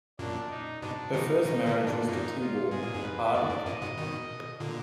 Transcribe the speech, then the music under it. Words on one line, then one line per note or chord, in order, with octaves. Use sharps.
Her first marriage was to Tibor Hardik.
F#2 A#2 D4
D#4
G#2 B2 D4
B2 D#3 D#4
B2 D#3 D#4
A#2 D3
D4
G#2 B2
F#2 A#2 D#4
F4
G#2 G#4
A#2
F2 G#2
B4
F2 D5
F#2
F#2 A#2 D#5
G#2 B2
B2 D#3
A#2 D3